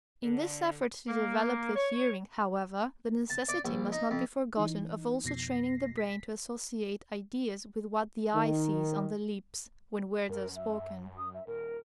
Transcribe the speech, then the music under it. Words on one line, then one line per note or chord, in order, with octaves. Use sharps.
In this effort to develop the hearing, however, the necessity must not be forgotten of also training the brain to associate ideas with what the eye sees on the lips when words are spoken.
D3
A#3
C#5
A5
D5
A#1
D#4
F2
E3 D#4
F2 B2 A#6 C7
B6
D#3
F#2 A#4
E5
D#6
E5
D#1 A#4